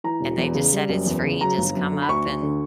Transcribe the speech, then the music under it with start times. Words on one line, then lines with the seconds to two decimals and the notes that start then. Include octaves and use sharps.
and they just said "It's free, just come up and"
0.04 E3 A#5
0.20 E1
0.37 E2
0.54 C#3
0.72 G3
0.89 F#1
1.06 E2
1.24 C#3
1.41 F#3 A#5
1.58 G1
1.74 F#2
1.92 D3
2.02 B5
2.09 D2 C#6
2.26 D2
2.42 D3